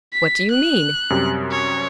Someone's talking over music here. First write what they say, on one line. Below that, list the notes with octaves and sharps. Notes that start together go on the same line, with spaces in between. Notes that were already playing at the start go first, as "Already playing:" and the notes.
"What do you mean?"
B6
F#6
F#2 C3 G3
C#5